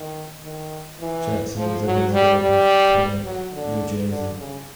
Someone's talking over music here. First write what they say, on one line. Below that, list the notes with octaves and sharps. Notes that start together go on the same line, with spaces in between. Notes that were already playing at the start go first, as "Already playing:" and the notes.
Jackson was a resident of Teaneck, New Jersey.
Already playing: D#3
D#3
E3
F3
F#3
G3
G3
F#3
D3
D3
C#3